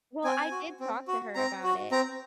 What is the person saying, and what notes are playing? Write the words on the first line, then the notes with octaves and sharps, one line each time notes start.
Well, I did talk to her about it,
C4 G#5
F#4
C4
F#4
C4 A#5
F#4
C4 A#5